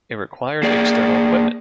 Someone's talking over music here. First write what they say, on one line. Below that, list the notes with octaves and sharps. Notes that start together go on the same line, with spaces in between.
It required external equipment.
A#3 G#4 D5